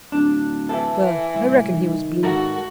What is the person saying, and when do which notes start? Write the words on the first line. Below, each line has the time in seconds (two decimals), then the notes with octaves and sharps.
Well, I reckon he was blue.
0.12 D1 D4
0.69 E3 A4
1.35 C2 A2
1.72 D#3
2.23 G#2 F#4 A4 A#4